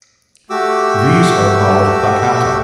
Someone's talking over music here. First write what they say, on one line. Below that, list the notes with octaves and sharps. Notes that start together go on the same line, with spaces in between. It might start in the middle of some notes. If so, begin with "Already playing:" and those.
These are called Hakata.
A3 F#4 G4 D6 E6